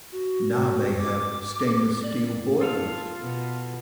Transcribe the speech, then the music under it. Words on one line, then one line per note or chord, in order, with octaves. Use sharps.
Now they have stainless steel boilers.
F#4
D6
D5
F4 A4 F5
B2